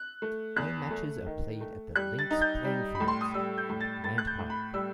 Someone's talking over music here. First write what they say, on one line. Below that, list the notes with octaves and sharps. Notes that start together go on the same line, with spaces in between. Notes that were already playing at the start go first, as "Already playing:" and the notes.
Home matches are played at the Links Playing Fields and Grant Park.
Already playing: F#6
A3
E2 F#6
A3
D#3
A3
G3 F#6
A6
D#4
G6
G3
B5
A2
C6
D#6
G3 E6
G6
A2
A6
A2 A6
F#6
G6
A2
B5
G3 E6